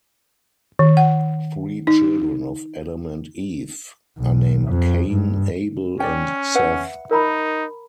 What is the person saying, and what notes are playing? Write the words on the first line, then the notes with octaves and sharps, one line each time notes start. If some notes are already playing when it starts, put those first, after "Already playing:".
Three children of Adam and Eve are named, Cain, Abel and Seth.
D#3
F#5
D#4
B1
F2
G2
C#4 D5 G5
B4 E5 F#5
D#4 A#4 A#5 B5